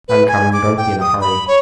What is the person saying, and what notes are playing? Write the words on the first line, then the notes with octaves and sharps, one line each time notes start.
I'm coming; don't be in a hurry.
B4
G#5
D6
G5
D#6
B5
C#5